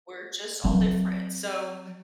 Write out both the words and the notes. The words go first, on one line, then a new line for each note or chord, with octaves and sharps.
we're just all different, so
F#3 C4